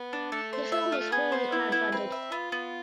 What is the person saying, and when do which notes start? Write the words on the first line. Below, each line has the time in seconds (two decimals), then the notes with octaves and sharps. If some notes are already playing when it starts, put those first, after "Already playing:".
The film was wholly crowdfunded.
Already playing: B3
0.13 D4
0.32 A3 A4
0.53 C5
0.72 E5
0.92 F4
1.00 A3
1.12 B3 G#4
1.32 C5
1.52 E4
1.72 E4
1.92 C4 B4
2.12 E5
2.32 B3 F4
2.52 B3